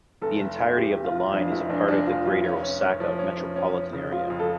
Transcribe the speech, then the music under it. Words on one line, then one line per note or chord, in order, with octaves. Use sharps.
The entirety of the line is part of the Greater Osaka Metropolitan Area.
F1 A4
F1
F1
F1 G4
F1
F4
F1
F2 D4
F1 E4
F1 D4
F1 D4
F1 F4
F1 F4
C#4
C#4
C#4
F3
C#4
C#4
C#4
C#4
C#3
C#3 F4
F2
A4